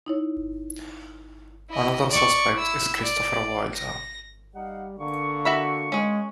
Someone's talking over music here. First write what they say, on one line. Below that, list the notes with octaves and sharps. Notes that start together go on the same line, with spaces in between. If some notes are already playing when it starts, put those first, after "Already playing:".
Another suspect is Christopher Wilder.
D#4 E4 C#5
E4 D#5
D5 C#6
E4 E6
D5
A#6
G3 D#4 F5 F#5
D3 A#3 C#6
F#4 E5 B5
G#3 C#4 G#4